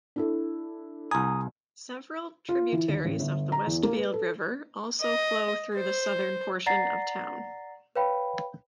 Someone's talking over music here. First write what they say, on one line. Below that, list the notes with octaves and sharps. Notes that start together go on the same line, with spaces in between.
Several tributaries of the Westfield River also flow through the southern portion of town.
D4 E4 A4
C2 G#5 A#5 D#6
F4
E3
D#2
A1
G1
A#5
E2
A#3
B4
A4
D#5
C5
D5 F#5 A#5 A6 A#6 C7
B4 C#5 F5 G5 B5